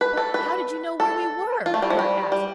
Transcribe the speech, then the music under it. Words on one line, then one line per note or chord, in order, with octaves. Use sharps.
"But how did you know where we were?" Bert asked.
B4
A4
B4
A4
F4
A3
G3
F3
G3
G3